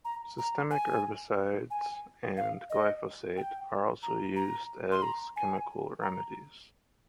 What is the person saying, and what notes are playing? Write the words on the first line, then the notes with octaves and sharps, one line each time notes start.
Systemic herbicides and glyphosate are also used as chemical remedies.
A#5
A#5
G#5
G#5
F5
D#5
G5
A#5
A#5
C6
A#5
G#5
A#5